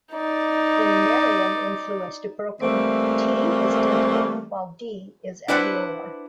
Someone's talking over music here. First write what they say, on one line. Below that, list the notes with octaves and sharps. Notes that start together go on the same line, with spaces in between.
In Meriam influenced Broken, t is dental, while d is alveolar.
D#4 D5
E3 G3 A3 A#3 C4
D4 E4 B4 C5 F#5